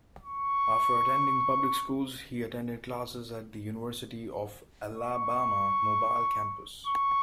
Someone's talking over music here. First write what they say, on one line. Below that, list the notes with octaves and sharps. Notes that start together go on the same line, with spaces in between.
After attending public schools, he attended classes at the University of Alabama, Mobile campus.
C#6
C#6
C#6